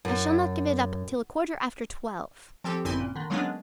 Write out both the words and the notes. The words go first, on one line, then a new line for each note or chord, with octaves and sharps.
I shall not give it up till a quarter after twelve.
F#2
F3 C4 G4 A4
G1 F#2 C4 E4 G#5 C6
A#2
D3 D#3
F#3 G#3 A#3 B3 C#4 D4